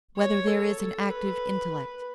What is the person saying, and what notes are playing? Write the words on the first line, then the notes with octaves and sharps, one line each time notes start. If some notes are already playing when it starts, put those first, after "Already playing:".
Whether There Is an Active Intellect?
C#5
A4
A4
B4
B4